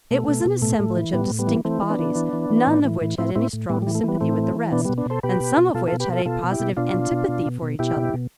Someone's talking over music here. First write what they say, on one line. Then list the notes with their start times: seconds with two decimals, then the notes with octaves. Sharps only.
It was an assemblage of distinct bodies, none of which had any strong sympathy with the rest, and some of which had a positive antipathy for each other.
0.11 B2 A3
0.28 B2
0.45 B2
0.62 A2 A3
0.79 A2
0.96 E3
1.13 A2 G3 B3
1.31 A2
1.39 G3 B3
1.47 E3
1.65 E3 A3 C4
1.82 E3
1.90 B3 D4
1.99 E3
2.16 E3
2.33 E3
2.50 E3
2.67 A2
2.84 E3
3.01 A2
3.18 A2 C4 E4
3.35 A2 C4 E4
3.53 A2
3.69 A2 G3 B3
3.82 G3
3.87 E3
3.95 A3
4.04 E3 G3 B3
4.21 A2 A3 C4
4.38 E3
4.55 E3
4.72 B2 B3 D4
4.85 G3 B3
4.89 B2
4.98 B3 D4
5.06 B2 A4 C5
5.23 B2 G4 B4
5.40 B2
5.57 B2
5.74 B2 F4 A4
5.87 F4 A4
5.92 B2
6.00 G4 B4
6.09 B2 F4 A4
6.25 B2 F4 A4
6.43 B2
6.51 E4 G4
6.60 B2
6.77 B2 D4 F4
6.94 B2
7.11 B2
7.28 B2
7.46 B2
7.62 B2
7.79 B2 E4 G4
7.96 B2
8.14 B2